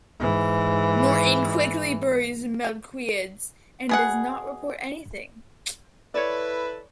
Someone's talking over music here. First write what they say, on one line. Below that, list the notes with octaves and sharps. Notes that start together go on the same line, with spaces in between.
Norton quickly buries Melquiades and does not report anything.
G#2 E3
B2 G#4 F#5
E4 A4 B4 C#5 D5